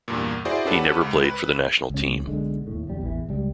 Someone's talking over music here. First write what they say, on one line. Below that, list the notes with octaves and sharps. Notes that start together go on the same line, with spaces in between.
He never played for the national team.
E2 G2 A#2
E4 F#4 G#4 C5 D5
C#4 G4 A4 B4 F#5
C#2
B4
C#2 C#4
B1 D3 G#3
D#2 A2
D1 E2 G3
A1 E2 E3
C#2 G3